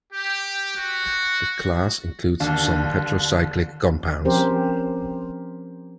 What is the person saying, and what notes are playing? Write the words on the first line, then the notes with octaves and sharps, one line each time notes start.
The class includes some heterocyclic compounds.
G4
F#4
D#2 D3
F3 C4 C#4 G4 A#4 C5